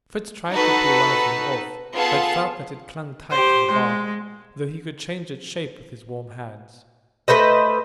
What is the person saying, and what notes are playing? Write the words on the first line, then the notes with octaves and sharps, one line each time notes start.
Fritz tried to pull one of them off, but felt that it clung tight to the bark, though he could change its shape with his warm hands.
D#4 F#4 A4 B4
B3 F4 G#4 A4 A5
G4 C5
G#3
A3 B4 C5 D#5